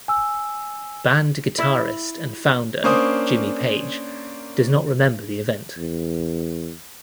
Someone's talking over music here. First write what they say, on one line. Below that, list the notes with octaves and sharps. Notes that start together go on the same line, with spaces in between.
Band guitarist and founder Jimmy Page does not remember the event.
G#5 E6
E4 E5
A#3 C#4 D4 C5 D#6
E2